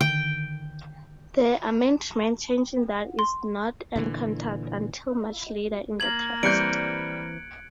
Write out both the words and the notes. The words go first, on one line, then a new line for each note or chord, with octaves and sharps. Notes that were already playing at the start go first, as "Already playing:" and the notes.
The amendment changing that is not encountered until much later in the text.
D3 D#3 G5
C6
A#2 D3 E3
A#3 G#6 F#7
E3 G3 C4 F#6 G6 C#7 D7